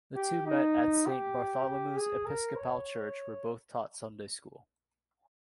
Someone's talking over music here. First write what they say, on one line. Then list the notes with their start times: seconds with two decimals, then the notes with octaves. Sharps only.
The two met at Saint Bartholomew's Episcopal Church where both taught Sunday School.
0.16 G4
0.47 D#4
1.06 G4
1.97 G#4
2.26 A#4
2.56 C#5